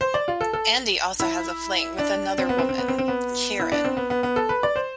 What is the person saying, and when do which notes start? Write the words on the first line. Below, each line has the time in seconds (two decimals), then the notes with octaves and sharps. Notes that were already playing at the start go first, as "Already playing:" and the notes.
Andy also has a fling with another woman, Keiran.
0.01 C5
0.14 D5
0.28 F4
0.41 A4
0.53 A4
1.20 E4
1.98 D4
2.38 C4
2.49 B3
2.58 C4
2.69 C4
2.78 B3
2.88 C4
2.98 C4
3.08 B3
3.60 E4
3.72 D4
3.85 C4
3.97 B3
4.10 B3
4.23 B3
4.36 A4
4.49 B4
4.63 D5
4.76 C5